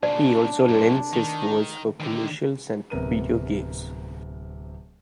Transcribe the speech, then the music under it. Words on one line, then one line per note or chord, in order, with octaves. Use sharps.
He also lends his voice for commercials and video games.
A#2 C#3 D4 D5
F#2 A#2
D#3
D3 D#3
D1 C3 B3 A#4 D#7